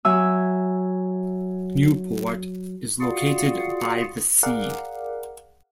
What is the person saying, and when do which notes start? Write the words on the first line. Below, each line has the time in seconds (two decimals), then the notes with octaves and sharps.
Nieuwpoort is located by the sea.
0.05 F#3 E5 G#5 E6
3.00 F4 F#4 G#4 D5 F5 F#5
4.43 G#4 A#4 D5 F5 F#5